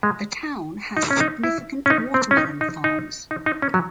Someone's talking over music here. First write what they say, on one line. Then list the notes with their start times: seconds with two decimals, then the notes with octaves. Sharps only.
The town has significant watermelon farms.
0.03 G#3
0.97 D#4
1.11 C#4
1.20 D#4
1.44 E4
1.86 C#4
1.90 D#4
2.14 C4
2.31 C#4
2.37 D#4
2.61 D#4
2.84 D#4
3.31 D#4
3.46 D#4
3.62 C#4
3.74 F#3